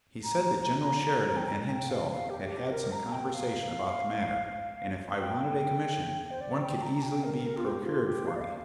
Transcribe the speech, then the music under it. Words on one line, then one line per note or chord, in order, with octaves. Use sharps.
He said that General Sheridan and himself had had some conversation about the matter, and if I wanted a commission, one could easily be procured for me.
A#5
G5
A#5
G5
F5
F5
G4
G4
A#4
A#5
G5
F5
G5
C5
D5
G5
A#5
A#5
G5
A#4
A#4
F4
G4
F4
G4
F5
D5
F5